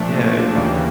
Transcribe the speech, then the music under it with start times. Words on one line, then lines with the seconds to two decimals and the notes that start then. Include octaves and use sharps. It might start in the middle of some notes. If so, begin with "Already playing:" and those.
Yeah, it w
Already playing: A#2 F3 A3 D4
0.55 D#2 C#3 E3 G3 A#3